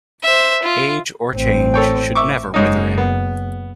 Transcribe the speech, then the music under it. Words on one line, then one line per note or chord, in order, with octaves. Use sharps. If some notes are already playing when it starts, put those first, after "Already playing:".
Age or change should never wither it.
C5 E5
F4
A1 C4
A4 C#5 G5
E5 C#6 D6
F#1 G#2 C#4 D#4
B3